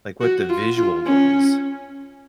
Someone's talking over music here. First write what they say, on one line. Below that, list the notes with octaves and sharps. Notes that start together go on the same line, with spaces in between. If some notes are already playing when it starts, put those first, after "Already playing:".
like, what the visual was.
F#4
F4
F4
C#4